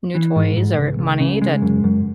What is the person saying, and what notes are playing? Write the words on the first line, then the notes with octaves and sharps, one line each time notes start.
new toys or money that
E3
G#2
G#2
C#2
C#2
C#3
G#3
F#2
F#2